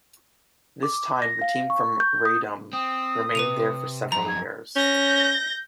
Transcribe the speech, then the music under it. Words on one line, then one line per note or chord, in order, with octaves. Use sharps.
This time, the team from Radom remained there for several years.
D6
A#6
F5
C#6
G6
D#6
C4 D#6
C3 B4 D#7 F7
F#2 F3 A#5
G#6
C#4 G6 A#6